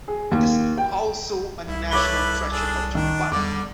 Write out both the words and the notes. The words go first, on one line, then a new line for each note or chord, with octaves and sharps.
It is also a National Treasure of Japan.
G#4
D#2
G5
C2 E4
E4 A4 B4 C#5 D6 G7
D4 G#4 A4
D#3 D4 D5
E2 D3 G3 D6